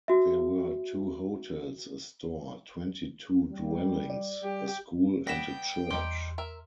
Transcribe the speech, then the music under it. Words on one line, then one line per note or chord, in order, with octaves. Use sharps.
There were two hotels, a store, twenty two dwellings, a school and a church.
F#4 E5
G3
D5
G3 G4
G3 B3 F#5 G5 A#6 B6 E7
E2 G3 D#4 G4 C6
A#4 E5